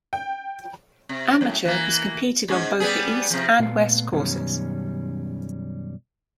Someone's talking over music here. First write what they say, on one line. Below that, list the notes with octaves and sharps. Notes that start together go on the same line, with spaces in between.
Amateur was competed on both the East and West Courses.
G5
C3
F#2 A2
E3 A#3
G#2 C#4
G3 B3 G#4
C3 F3
A#2 A3 B3 F5
F#2 B2 D#3 G3 C#4